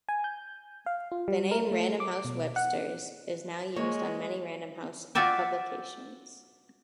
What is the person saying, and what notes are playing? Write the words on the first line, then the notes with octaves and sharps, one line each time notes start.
The name "Random House Webster's" is now used on many Random House publications.
G#5
G6
F5
F4
G3
A#4
A3
D6
B2
F#5
G#3 A#3 C#5
F4 F#4 D5 E5 G5